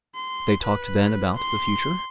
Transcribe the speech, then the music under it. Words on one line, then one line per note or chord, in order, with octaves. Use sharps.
They talked then about the future.
C6
B4
C6